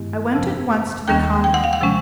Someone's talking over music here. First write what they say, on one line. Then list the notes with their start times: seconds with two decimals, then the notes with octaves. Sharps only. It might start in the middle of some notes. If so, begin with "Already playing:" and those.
I went at once to the convent.
Already playing: G2 D#3 G#3 B3 E4
0.34 F2 C3 F3
1.08 D#2 D#3 G3 A#3 C#4 G5
1.44 G5
1.54 F#5
1.64 F5
1.73 F#5
1.81 C3 F3 G#3 C#4